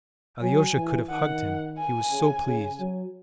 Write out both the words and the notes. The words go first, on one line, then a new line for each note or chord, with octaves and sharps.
Alyosha could have hugged him, he was so pleased.
F#3 G#5
E3
D#3 F#5
G#5
C#3
C#3
F#3